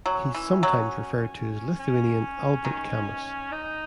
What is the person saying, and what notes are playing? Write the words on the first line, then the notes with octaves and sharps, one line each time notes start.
He's sometimes referred to as Lithuanian Albert Camus.
F#3 C#4
E3
F#3
C#4
D#3
D#4